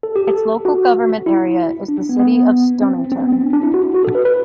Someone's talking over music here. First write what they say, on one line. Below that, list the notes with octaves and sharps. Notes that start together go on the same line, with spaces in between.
Its local government area is the City of Stonnington.
A4
G4
A4
F#4
E4
D4
B3
B3
C4
C4
B3
C4
D4
D4
E4
F#4
E4
F#4
A4
B4
B4